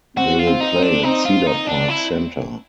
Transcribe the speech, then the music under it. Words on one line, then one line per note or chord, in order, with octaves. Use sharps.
They will play at Cedar Park Center.
C4 F#4
F4
C4
D#4
C4
D4
C4 D#4
F4
D#4
D4
E4